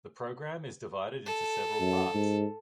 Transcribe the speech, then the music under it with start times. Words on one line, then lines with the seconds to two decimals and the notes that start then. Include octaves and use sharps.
The program is divided into several parts.
1.26 A4
1.80 F#2
2.14 G#2